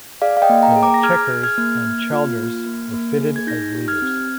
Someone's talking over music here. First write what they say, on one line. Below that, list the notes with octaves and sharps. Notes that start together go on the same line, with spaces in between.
The "Chequers" and "Childers" were fitted as Leaders.
G#4 D5 F5
F5
D#5 G5
A#3
G5 A#5
G#4
A#5 D6
A#6
G#4 F6 G#6
G#4
F6 G#6
A#3
A#3
F4
A#3
A#3
A#3
G#4
G#6
D#4 G6 A#6
G4
F6 G#6
C4